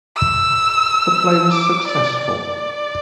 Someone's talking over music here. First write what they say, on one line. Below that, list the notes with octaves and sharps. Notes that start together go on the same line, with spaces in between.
The play was successful.
E6
D6
D5
D5